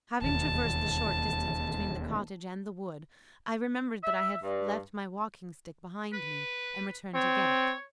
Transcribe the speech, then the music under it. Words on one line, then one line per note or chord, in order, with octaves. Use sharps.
Having traversed the short distance between the cottage and the wood, I remembered that I had left my walking-stick behind me, and returned to get it.
E1 D#2 A5
E5
G2
B4
C4 C#5